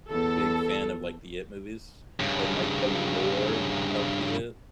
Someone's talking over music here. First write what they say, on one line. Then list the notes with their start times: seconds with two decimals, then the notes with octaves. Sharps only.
big fan of, like, the It movies and, like, the lore of the It.
0.10 E2 A4
2.20 G2 C#3